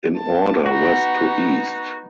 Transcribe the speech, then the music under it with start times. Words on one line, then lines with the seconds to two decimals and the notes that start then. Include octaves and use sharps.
In order west to east.
0.17 A5
0.66 B3 D#4 F#4